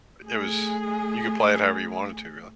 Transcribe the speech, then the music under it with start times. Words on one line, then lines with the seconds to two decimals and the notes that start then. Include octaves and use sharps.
It was you could play it however you wanted to, really.
0.23 A3 G#4